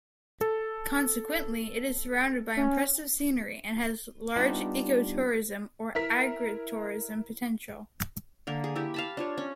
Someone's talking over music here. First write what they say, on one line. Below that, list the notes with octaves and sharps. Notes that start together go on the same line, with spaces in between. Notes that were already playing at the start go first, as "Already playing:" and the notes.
Consequently, it is surrounded by impressive scenery and has large ecotourism or agritourism potential.
A4
C#4
G3 B3 D4 D#4 F4 G4
E4 A#4 B6
D3 A#3
G#4
E4 G4
F5 A5 B5
D4 F4 C#5
C#4